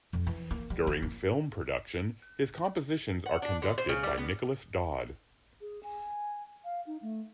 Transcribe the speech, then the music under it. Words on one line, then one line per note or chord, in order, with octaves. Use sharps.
During film production, his compositions are conducted by Nicholas Dodd.
F2
E3
A#3
G3
E4
A#3
F#5
D4
D3
C5
C#3
G3
B3
G#4
G#5
F5
D#4
A3